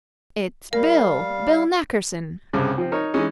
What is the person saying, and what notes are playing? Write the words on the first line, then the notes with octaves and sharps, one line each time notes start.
"It's Bill--Bill Nackerson!"
G3 A#4 F5
C2 G2 C#3
F3 C4
D#4 A#4 C#5
E3 G#3 C#4 D#4